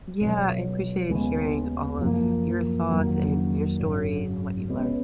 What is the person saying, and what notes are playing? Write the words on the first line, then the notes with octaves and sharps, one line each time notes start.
Yeah, I appreciated hearing all of your thoughts and your stories and what you've learned.
C#2 B2 F#3
D#2 C#3 G#3 B3
F#2 F3 A#3
F2 D#3 F#3 A#3
G#1 F#2 C#3 F#3
C#2 C#3 G#3 B3